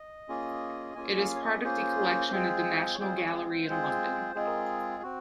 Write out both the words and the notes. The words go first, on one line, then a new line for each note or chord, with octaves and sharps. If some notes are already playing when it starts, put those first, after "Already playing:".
It is part of the collection at the National Gallery in London.
Already playing: D#5
A#3 C#4 F4 G#4
A#3 C#4 F4 G#4 G#5
F5
C#5
D#5
A#3 C#4 F4 G#4 C5
G#3 C4 F4 G#4
C#5
G#3 C4 F4 G#4 C5
C#5
G#4
C5
G#3 C4 F4 G#4
G#3 C4 F4 G#4
C4 F#4